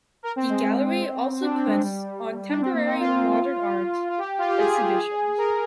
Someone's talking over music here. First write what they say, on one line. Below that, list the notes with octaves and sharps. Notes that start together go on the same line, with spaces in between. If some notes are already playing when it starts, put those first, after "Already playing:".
The gallery also puts on temporary modern art exhibitions.
A#4
C4
G#3
C4
D4
C4
G#3
G3
D4
C4
A#3
C4
F4
F4
G4
F4
G4
G#4
A#4